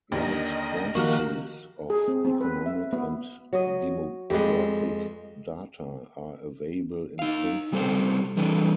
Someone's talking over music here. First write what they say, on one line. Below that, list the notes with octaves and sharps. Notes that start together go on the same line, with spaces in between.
Large quantities of economic and demographic data are available in print format.
D#2 D3 D#3 D#5
D#3 F3 A#3 F#4 G4 C#6 F6 F#6
G#4
C4
C4
B4
E5
B3
F#3 D#5
F2 G#3 G4 B4 D5
D#4 F5
C3 G3 C4 A4 C5
E3 G3 D4 A4 B4